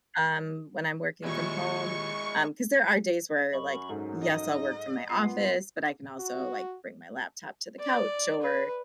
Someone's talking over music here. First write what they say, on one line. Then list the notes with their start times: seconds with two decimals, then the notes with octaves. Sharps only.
um, when I'm working from home, um 'cause there are days where, like, yes, I'll work from my office, but I can also, like, bring my laptop to the couch or,
1.24 D#2 A#2 G#3 E4 C#6
3.53 F#2 D#5 B5 C#6
3.89 G#2 D#4 A4
4.21 D#5
5.09 A#2 B3 F4 C7
6.19 F#4
7.80 D5
8.42 B4